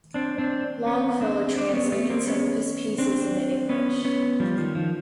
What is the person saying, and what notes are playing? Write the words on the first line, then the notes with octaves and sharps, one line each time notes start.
Longfellow translated some of his pieces into English.
C4 D4
C4 D4
B3 C#4
C4 D4
C4 D4
B3 C#4
A3 B3
A#3 C4
B3 C#4
C4 D4
B3 C#4
B3 C#4
F3 G3
D#3 F3
D#3 F3